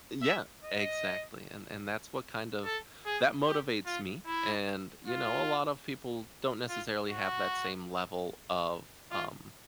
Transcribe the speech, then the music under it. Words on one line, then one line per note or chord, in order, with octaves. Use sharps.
Yeah, exactly, and and that's what kind of that motivates me and, you know, a lot of people don't necessarily have that same level of, um,
E5
D#5
A4
G#4
G4
F4
E4
F4
F4
F#4
F4